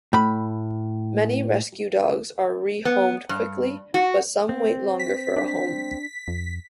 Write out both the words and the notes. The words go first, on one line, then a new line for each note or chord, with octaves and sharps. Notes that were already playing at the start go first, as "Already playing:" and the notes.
Many rescue dogs are rehomed quickly, but some wait longer for a home.
A2 B5
B3
G2
F#4
C4
B6
D4
F2